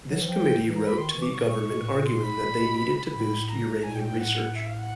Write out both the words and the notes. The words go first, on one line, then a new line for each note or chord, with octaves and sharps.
This committee wrote to the government arguing that they needed to boost uranium research.
F#3
E3
F3 G5
E3
A#5
B5
D#3 C6
C#6
E3
D6
A#2 C#6
C#6
B2
A2
A#2
C6
B5
B2
A#2
B2
A2 B5
A#5
A#2 G#5
G5
G5
G#2
A2 F#5
E5
F5
F#5